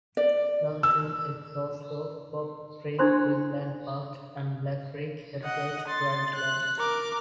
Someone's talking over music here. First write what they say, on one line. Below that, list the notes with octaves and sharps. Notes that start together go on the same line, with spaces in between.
Downstream it flows through "Bob Creek Wildland Park" and "Black Creek Heritage Rangeland".
D5
E6
D4 E4 A#4 C5 C6 C#6
D#5 F#5
C6 A6
F#6
A#4 D6